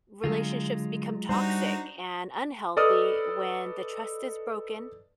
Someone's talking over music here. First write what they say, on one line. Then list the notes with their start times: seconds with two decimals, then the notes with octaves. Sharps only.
relationships become toxic and unhealthy when the trust is broken,
0.24 D3 F#3 G#3 F4
1.29 G3 D4 D#4 F#4 C5 A#5
2.77 A4 B4 D5 D#5 D#6 F6